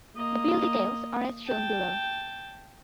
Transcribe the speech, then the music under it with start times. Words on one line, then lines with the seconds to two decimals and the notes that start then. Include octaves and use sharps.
The build details are as shown below.
0.15 A#3 D#5
1.47 G5 A5